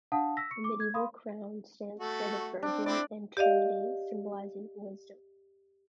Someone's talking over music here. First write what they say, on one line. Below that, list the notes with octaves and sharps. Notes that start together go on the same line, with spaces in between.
The medieval crown stands for the Virgin and Trinity, symbolizing wisdom.
D4 F5 F#5 A5 D#6
E6 A#6 B6
C#6 C#7
D6
G#6
F5 B5 C6 D#6
A3 F#4 A4
C4 D4
C4 E4 D5 D6
G4 D5 D#5 F5